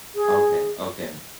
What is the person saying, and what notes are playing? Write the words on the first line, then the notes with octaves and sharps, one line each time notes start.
Okay, okay.
G#4